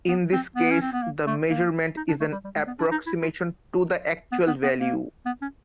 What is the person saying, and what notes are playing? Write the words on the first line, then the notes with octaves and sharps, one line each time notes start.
In this case, the measurement is an approximation to the actual value.
B3
C4
B3
C#4
C4
B3
A#3
A3
A#3
D#4
D4
A3
G3
G3
G#3
B3
D4
D#4
E4
F4
B3
B3
B3
A#3
B3
C#4